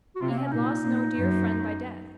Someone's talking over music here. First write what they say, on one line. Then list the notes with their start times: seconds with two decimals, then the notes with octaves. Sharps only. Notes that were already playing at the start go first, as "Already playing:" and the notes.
He had lost no dear friend by death.
0.16 F#4
0.21 C3 F4
0.30 A#3
0.38 C4
0.45 C#4
0.52 A#2 D#4
0.84 A#2
1.16 F#2